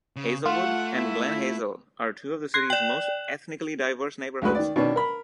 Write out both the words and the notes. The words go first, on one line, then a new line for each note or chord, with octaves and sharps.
Hazelwood and Glen Hazel are two of the city's most ethnically-diverse neighborhoods.
C#3
A3 F4 F#5
E4
C6 F#6 G#6 A#6
D5 G5 E7 F#7
D2 G#3 F#4 B4 F#6
D#3 D5
B2 D#3 C#4 D4
A#4 B5